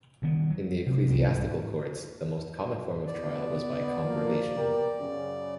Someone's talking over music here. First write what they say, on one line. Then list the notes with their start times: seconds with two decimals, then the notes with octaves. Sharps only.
In the ecclesiastical courts, the most common form of trial was by compurgation.
0.22 D2 D#3 G3 B3
0.50 F#3
0.87 C3 G#3
1.08 C2 C4
1.29 C2 G#2 F3
3.07 B3 D5
4.03 F3 A#3
4.55 B3 G4 A#4
4.99 F#2 C#3